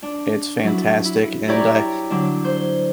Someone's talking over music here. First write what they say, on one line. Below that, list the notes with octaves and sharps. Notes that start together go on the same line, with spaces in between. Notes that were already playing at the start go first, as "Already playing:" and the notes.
it's fantastic, and I
D4
F#3 E4
E4
E4 G4 C#5 D5 A#5
D3 F#3 D4
C5